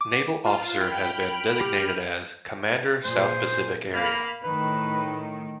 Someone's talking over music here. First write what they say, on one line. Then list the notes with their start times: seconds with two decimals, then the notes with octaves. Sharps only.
Naval officer has been designated as "Commander, South Pacific Area".
0.01 D6
0.45 F4
0.81 G5 B5 F6
1.61 G4
3.04 A#2 G#4 C5
3.94 A#3 F5 B5 F6
4.43 A2 D#3 B4